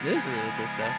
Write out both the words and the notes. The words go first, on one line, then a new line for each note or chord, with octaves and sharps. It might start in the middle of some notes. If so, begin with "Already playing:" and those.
This is really cool stuff.
Already playing: C#3 F3 G#3 B3 E4
G#5 G#6
G#5 G#6
A5 A6